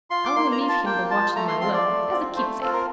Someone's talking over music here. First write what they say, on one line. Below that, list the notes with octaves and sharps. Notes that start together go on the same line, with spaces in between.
"I will leave him the watch in my will, as a keepsake."
F4 C6
D6
A#3 C6
A#5
F4
A5
A#3 G5
F4 A5
A3 A#5
C6
C4 F4 C6
D5
A3
C4 F4
A3 C5
C4 F4 A4
A#4